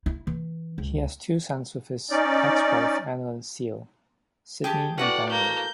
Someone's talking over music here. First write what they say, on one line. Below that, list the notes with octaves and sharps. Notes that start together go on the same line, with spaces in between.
He has two sons with his ex-wife, Annalynn Seal; Sidney and Daniel.
E4
E3
C#2
C#4 D#4 D5
G4 G#4 G5 A5
A2 F#4 B4 D5 F#5
A#3 G6